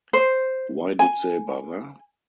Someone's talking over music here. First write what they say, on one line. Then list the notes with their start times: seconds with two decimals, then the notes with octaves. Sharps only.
Why did they bother?
0.13 C5
0.99 G#5